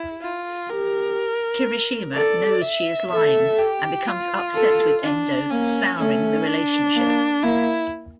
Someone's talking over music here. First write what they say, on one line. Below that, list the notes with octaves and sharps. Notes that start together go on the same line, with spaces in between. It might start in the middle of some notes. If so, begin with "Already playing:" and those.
Kirishima knows she is lying and becomes upset with Endo souring the relationship.
Already playing: E4
F4
G4 A#4
A4 D5
E5
A4 E5
G4
F4
A4
D4
A#3 C#4
A3 C#4
D4
A#3
A#3 E4